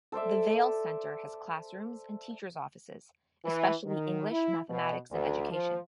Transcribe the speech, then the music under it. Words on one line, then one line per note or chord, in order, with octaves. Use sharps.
The Vail Center has classrooms, and teachers' offices, especially English, mathematics, and education.
A4 C5 D5 E5
E3
D#3
E4
B2
D2
F3